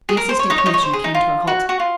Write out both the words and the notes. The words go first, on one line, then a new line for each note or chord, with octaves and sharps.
The Assistant Commissioner came to a halt.
G#4
A#4
C5
C#5
D#4 D#5
C#5
D#4 D#5
C#5
C5
G#4
D#4
F4
F#4
F#4
F4